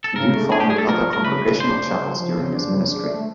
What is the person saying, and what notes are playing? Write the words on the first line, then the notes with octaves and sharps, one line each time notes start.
New founded other Congregational chapels during his ministry.
A4
C#3 A#4
A3
D4 G#4
G4
A3 G#4
A4
F3 A#4
A3
A#4
C#3 B4
C#3
D4 C5
C#3
C#3
F3
C#3
D4
C#3
D4
A3